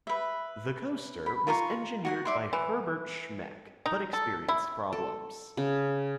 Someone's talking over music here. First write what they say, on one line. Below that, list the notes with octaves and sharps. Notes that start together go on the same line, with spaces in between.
The coaster was engineered by Herbert Schmeck, but experienced problems.
B4 E5
B5
F4 G#5 A#5 C#6
F#4 F#5 G#5
D5 E5 C6
E3
D#4
A4
E4
A4
C#3